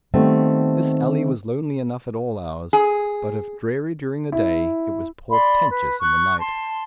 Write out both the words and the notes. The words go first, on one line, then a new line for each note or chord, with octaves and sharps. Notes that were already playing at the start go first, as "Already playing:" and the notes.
This alley was lonely enough at all hours; but if dreary during the day, it was portentous in the night.
D#3 G3 A3 B3 C4
G#4
E4
D5 B5 C6
B4
C#6 F#6
A5 C6